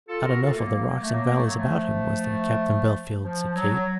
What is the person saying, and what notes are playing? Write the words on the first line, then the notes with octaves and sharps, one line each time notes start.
"Not enough of the rocks and valleys about him, was there, Captain Bellfield?" said Kate.
F4 A4
F#4 A#4
F4 A4
A3
F#3 A#3
A#3
A3
F#3 A#3
A#3
A3
F#3
F3 A3
F3
F#3